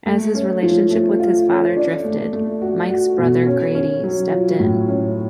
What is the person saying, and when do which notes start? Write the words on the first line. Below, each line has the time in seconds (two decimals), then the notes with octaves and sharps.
As his relationship with his father drifted, Mike's brother Grady stepped in.
0.06 A3
0.35 C#4
0.63 F3
0.91 A3
1.19 F4
1.49 C#4
1.77 D4
2.05 A3
2.33 A3
2.61 F#4
2.90 F#4
3.18 B2
3.47 C#4
3.75 C#4
4.03 F#3
4.32 F4
4.60 A2
4.88 C#4